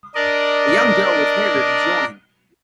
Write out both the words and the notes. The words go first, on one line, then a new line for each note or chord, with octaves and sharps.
A young girl with hair ribbons yawning.
D4 A#4 D5 D#5